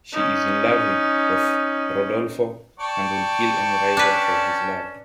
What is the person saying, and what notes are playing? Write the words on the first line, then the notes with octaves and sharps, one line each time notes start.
She is in love with Rodolfo, and would kill any rival for his love.
C#4 D#4
C#5 D5 G5 A5 C#6
C#4 D4 B4